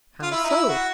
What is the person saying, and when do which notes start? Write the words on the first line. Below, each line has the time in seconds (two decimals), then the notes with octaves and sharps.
How so?
0.22 F4
0.32 E4
0.44 D#4
0.49 E4
0.69 F#4